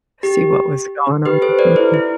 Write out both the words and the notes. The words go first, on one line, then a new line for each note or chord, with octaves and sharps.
See what was going on. Mhm.
G4
G4 B4
A4 C5
B4 D5
E4
E4